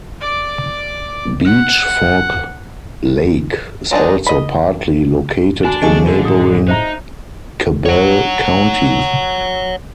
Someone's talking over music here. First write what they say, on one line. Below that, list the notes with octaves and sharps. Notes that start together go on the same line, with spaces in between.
Beech Fork Lake is also partly located in neighboring Cabell County.
D5 D6
F#5
F#3 G#3 D4 D#4
D#5 B5
D4 F#4 G#5
F2 C#3 F#3 D#5 G#5 C#6
D3 A#4
A2 D#6
D#4 C5 E5 A#5
C#5 F#5